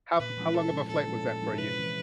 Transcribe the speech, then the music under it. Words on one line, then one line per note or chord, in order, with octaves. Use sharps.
How how long of a flight was that for you?
A#2 B4
F3 G#3 C#4 E4
A#2 A4
F3 G#3 C#4 E4
A#2 A4
F3 G#3 C#4 E4
A#2
F3 G#3 C#4 E4
C3 B4
E3 G#3 C#4